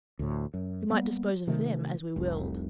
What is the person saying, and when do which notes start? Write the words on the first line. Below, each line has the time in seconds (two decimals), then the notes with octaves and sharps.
We might dispose of them as we willed.
0.19 D2 A2
0.54 F#2
0.90 G3 A#3 B3
1.47 C3 D#3 A3
2.16 F1 C2